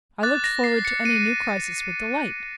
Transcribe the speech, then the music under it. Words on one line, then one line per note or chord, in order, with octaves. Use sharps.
I looked forward to any new crisis with delight.
D6 F#6 A6
A#6
C7
C#7
D#7